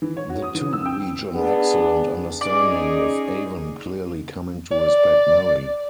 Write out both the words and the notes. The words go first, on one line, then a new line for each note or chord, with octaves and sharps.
The two reach an excellent understanding, with Avon clearly coming to respect Mary.
E3
C#5
F#4
D#6
E3
E6
G5
B3 D4 G#4
C#4 D#4 G#4 D5
D5